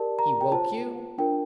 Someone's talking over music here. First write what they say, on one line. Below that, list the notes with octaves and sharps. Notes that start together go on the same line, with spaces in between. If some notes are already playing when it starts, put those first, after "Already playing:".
"He woke you?"
Already playing: G4 A#4 D5 A5
A#5
G5
F4 C5 A5
D4 F4 A#4 G5